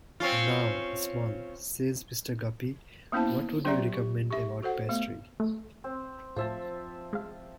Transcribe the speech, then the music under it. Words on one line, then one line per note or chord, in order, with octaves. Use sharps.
"Now, Small," says Mr. Guppy, "what would you recommend about pastry?"
C4 C#4 F4
A#3 B3 C#4 E4 C5 A5
F#3 C#4 G4 D5 E5 A#5
G4
G4 E5
F#4 A4 C5 F#5
A3 B3
A3
C4
A2 F3 E5 A5
G#3 F5